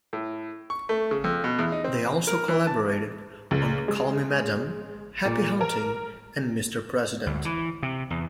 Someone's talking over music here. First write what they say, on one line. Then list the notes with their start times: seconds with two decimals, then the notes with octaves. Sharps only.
They also collaborated on "Call Me Madam", "Happy Hunting" and "Mr. President".
0.13 A2
0.70 C#6
0.89 A3
1.11 C#3
1.24 F2
1.44 B2
1.59 E2
1.72 D#4
1.84 C4
2.27 A#4
2.48 E3
2.67 A5
3.51 C#2
3.88 G#3
5.25 A#2
5.61 A#4
7.26 D2
7.45 E3
7.83 C3
8.10 E2